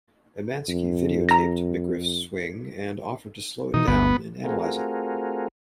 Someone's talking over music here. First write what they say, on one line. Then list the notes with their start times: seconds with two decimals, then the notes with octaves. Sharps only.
Emanski videotaped McGriff's swing and offered to slow it down and analyze it.
0.68 F2
1.29 A#5 A#6
3.74 B2 E3 D#4
3.87 G1 D2 B3
4.44 A3 C4 F4 F#4 G#4 A#4